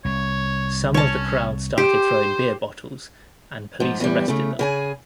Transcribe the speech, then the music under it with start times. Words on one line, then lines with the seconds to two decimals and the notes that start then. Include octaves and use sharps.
Some of the crowd started throwing beer bottles and police arrested them.
0.05 C2 C#5
0.94 C#4 C#5 A5
1.78 G4 C5
3.80 G#2 F3
4.00 E2 E3 G3
4.28 C#3 A3
4.59 C#3 G#4 G#5